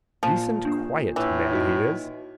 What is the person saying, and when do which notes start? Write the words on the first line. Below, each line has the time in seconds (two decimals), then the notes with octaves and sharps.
Decent quiet man he is.
0.23 A#2 F3
0.65 A#3 D4
1.16 A2 E3
1.51 D#4 F#4 D#5